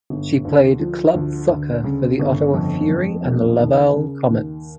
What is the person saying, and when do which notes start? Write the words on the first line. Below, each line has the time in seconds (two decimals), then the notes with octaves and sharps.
She played club soccer for the Ottawa Fury and Laval Comets.
0.10 G1
0.45 D2
0.79 F3
1.15 D2
1.49 D2
1.84 C#3
2.19 G1
2.54 F2
2.89 F2
3.24 E1
3.59 D#2
3.94 C#3
4.29 D#2